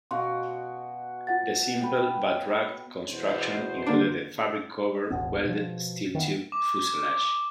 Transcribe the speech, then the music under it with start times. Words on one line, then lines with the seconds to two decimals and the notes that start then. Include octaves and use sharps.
The simple but rugged construction included a fabric-covered welded steel tube fuselage.
0.11 B2 F#4 F5 C6
1.27 F4 F#5 A6
1.81 B4 G5
3.09 E2 B2 C5
3.86 D3 A#3 D4
5.10 E1 A1 B2 B3
5.45 B2 F3
6.14 D#3 E3 B3
6.52 D6